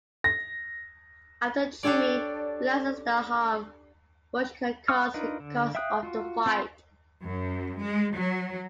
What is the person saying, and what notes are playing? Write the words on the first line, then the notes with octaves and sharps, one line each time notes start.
After Jimmy realises the harm Bush has caused, he calls off the fight.
A#6
D4 G4 A4 C#5 D5
F5 C#6 D#6 F6
D4 D#4 F4 A#4 B4
D3
E5 F5 G5 D#6 F#6
F4 F#4
C4 F4 G5 B5 C6
F#2
G#3
F#3